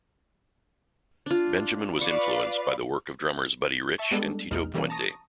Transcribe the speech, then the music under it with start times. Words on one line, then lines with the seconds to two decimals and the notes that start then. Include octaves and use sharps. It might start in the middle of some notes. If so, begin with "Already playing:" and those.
Benjamin was influenced by the work of drummers Buddy Rich and Tito Puente.
1.26 D4 F4
2.01 B4 D5 F5 C#6
3.98 E5 A5 C#6
4.11 G3 G#3 B3 D4 A4
4.51 A#1 E2 B2 G#3 D#4 F6
4.74 B2 E3 G3 A#3 C#4
4.89 A5 A#5 C#6 D#6 A#6